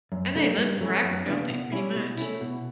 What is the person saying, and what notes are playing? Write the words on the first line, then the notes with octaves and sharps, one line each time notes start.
And they live forever, don't they, pretty much?
F#2
C#3 F#3 A3 D4
G2
F#3 A3 C#4 E4
F#2
C#3 E3 B3 D4
B2
G3 C#4 E4
B2
A3 C#4 E4
B2